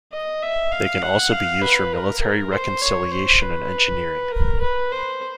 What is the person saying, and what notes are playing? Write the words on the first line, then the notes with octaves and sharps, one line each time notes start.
They can also be used for military reconciliation and engineering.
D#5
E5
F5
F#5
F5
B4
A#4
A#4
C5
C#5
C5
B4
A#4
B4
C5